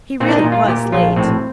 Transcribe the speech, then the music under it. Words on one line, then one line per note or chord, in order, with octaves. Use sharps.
He really was late.
A#2 C4
D4
D#4
A#2
F4
A#2 G4
A#1 F4
A2 C4